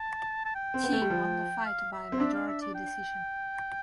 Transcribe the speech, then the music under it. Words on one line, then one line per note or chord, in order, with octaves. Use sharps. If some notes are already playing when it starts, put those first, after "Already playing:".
Qi won the fight by majority decision.
Already playing: A5
A5
G5
C4
B3
A3
G3
F3
F5
E5
C4
D4 E5
F5
E5
D5
G5